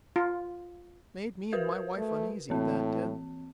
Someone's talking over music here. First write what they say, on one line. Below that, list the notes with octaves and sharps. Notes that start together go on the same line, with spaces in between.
Made me and my wife uneasy, that did.
F4
F#4 A#4 B4
A3
A2 E3 C4